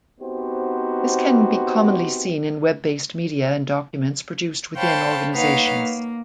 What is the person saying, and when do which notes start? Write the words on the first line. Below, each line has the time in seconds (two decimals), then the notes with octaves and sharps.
This can be commonly seen in web-based media and documents produced within organisations.
0.20 B3 C4 D#4 F#4 G4 C5
4.77 C5 C#5 F5 G5 A5 B5
5.35 A#3 D#4 B4 C#5 F5 F#5
5.74 A#3